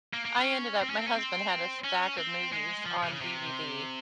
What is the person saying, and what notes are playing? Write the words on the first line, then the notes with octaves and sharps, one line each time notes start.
I ended up my husband had a stack of movies on DVD,
A#3
A#3
C#4
C4
C#4
C4
C#4
C4
C#4
C4
G#3
F3
C3
C#3
C3